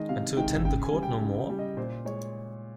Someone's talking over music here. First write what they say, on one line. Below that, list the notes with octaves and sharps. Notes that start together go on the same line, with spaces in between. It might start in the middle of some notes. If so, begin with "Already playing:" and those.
And to attend the court no more?
Already playing: D#3 G#3 D#5
C3 F5
D#3 G#3 G5
C#3 G5
G#5
G3
G5
C#3
G3
D#5
A#2 C5
G#3 C#5